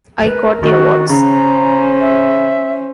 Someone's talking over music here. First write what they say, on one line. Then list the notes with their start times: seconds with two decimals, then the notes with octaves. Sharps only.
I got the awards.
0.24 A#4 B4
0.63 D#3 F#4
1.09 C#3 C#4 C5 A#5
2.01 E5